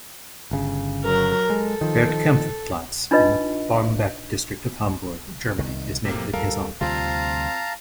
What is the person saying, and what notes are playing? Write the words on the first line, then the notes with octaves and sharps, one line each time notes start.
Bert-Kaempfert-Platz, in the Barmbek district of Hamburg, Germany, is named in his honour.
G1 C#3
F#3 A#4
G#3 A4
D#3 F3
D4 D#4 F4 B4 D#5
C2 D#3
A2 C3 A#3
D2 G3 A4 A#4 F5
D2 C3 G3 C4 F4 F5 A5 A#5